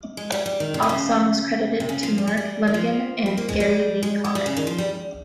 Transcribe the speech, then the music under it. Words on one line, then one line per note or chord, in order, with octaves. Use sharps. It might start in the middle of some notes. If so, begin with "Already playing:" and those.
All songs credited to Mark Lanegan and Gary Lee Conner.
G#3
G3
G3
D#3
C3
D#3
C#3
C3
C#3
F3
G3
G#3
G3
D#3
F3
C4
A#3
G#3
G3
G#3
G#3
G3
C#3
D#3
F3
G3